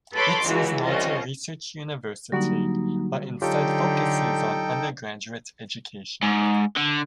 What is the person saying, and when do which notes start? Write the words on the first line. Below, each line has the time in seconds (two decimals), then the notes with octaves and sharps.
It is not a research university, but instead focuses on undergraduate education.
0.14 A4 B4 C#5 B5 C6 D6
0.43 C#2 E3 E4 F#4
0.82 C2 C#4 F4 D#5
2.32 D3 F#3 G3 A#3 D#4 F#4
3.42 D3 F#3 D#4 F4 G4 A4 C#5 G5
6.23 G#2
6.77 D3